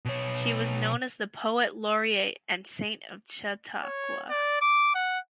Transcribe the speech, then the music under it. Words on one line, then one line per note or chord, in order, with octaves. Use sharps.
She was known as the "Poet Laureate and Saint of Chautauqua".
B2 C#5
C#5
D5
D6
F#5